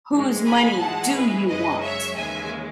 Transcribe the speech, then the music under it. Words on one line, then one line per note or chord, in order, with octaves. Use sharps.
Whose money do you want?
G#2 E3 G#3
G#5 B5
G#2 E3 G#3 F#5 A5
G#4 B4
F#2 C#3 G#3 B4 D#5
C#5 E5
D#2 C#3 E3 G#3 E5 G#5